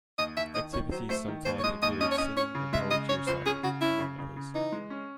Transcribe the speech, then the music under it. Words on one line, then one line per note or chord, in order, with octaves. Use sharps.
Activities sometimes included singing and poetry reciting, among others.
D#2 D#5
D#2 E5
D#3 D#5
D#3 C#5
F#3 C5
A3 C5
D#3
D#2 C5
C#5
G#3 D#5
D#2 D#5
C#4 D#5
C#5
C#4 D#5
C#4 C#5
C#3
G#3 E5
C#3 D#5
C#4 C#5
C#2 C5
C#4 G#4
C#3 F#4
C#4 E4
C#3
C#3
C#3
E3 D#4
G#3
C#4